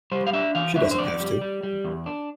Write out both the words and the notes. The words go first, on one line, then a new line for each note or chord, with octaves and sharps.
She doesn't have to.
G3 C5
F5
D4 E5
E3 F5
D4 E5
C5
F2 D5
G3
G3
G3
E2
D4